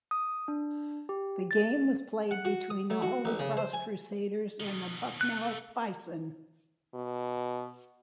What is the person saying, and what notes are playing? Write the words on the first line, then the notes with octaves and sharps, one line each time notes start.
The game was played between the Holy Cross Crusaders and the Bucknell Bison.
D#6
D4
G4
A6
F#5
F#4
D#6
A3
F#4
A1
C#3
C5
G#5
B2 D#3
C3 A3 F#6
A4
B2